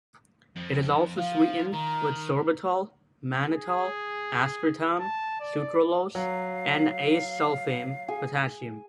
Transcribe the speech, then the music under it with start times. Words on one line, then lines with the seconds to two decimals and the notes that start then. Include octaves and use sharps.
It is also sweetened with sorbitol, Mannitol, Aspartame, Sucralose and Acesulfame potassium.
0.56 F2
1.17 F3 F5
1.73 D#3 A#5
3.47 G#4
5.00 A5
5.40 D5
6.15 F#3 F5
8.08 G#4 G#5